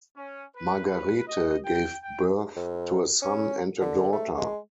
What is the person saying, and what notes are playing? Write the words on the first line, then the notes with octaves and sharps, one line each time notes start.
Margarete gave birth to a son and a daughter.
C#4
B4
B4
D#5
G5
G5
F2
C#4
D3
A3
G#3